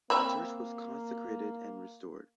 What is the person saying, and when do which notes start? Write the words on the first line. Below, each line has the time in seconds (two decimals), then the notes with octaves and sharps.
The church was consecrated and restored.
0.10 A#3 C4 E5 B5